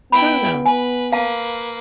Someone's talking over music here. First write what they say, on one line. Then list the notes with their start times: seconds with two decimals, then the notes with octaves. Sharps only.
I don't know.
0.12 B3 E4 G5 B5
0.66 B4 G#5
1.12 A#3 B4 F5 A5